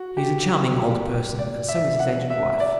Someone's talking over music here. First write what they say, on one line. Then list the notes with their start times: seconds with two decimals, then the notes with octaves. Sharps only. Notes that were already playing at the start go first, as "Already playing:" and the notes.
He is a charming old person, and so is his aged wife.
Already playing: F#4
0.17 G4
1.39 D5
1.69 E5
2.00 F#5
2.30 E5
2.60 D5